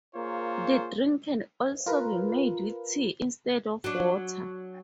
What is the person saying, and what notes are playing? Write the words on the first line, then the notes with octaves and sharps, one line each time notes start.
The drink can also be made with tea instead of water.
A#3 F4 G#4 A#4 C5 C#5
F4 A#4 B4
F#3 D4